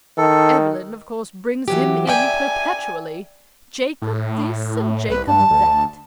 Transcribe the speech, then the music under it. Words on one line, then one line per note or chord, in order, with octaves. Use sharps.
Evelyn, of course, brings him in perpetually--Jacob this and Jacob that.
D#3 A4
E3 F#3 G4
D5 E5 G5 G#5
A2
C2 B4
G2 A5
D2